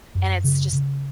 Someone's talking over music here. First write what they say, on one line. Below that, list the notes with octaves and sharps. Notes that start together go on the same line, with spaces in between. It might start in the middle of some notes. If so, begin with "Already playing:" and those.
And it's just
F#2
C#3
C#3